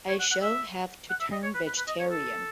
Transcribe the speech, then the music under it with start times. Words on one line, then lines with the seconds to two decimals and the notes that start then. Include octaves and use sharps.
I shall have to turn vegetarian.
0.09 C#5
0.20 F#5
0.31 F#5
0.42 E5
1.10 F#5
1.21 E5
1.32 D#5
1.43 C#5
1.55 B4
1.66 B4
1.77 B4
1.88 D#5
2.00 C#5
2.11 A4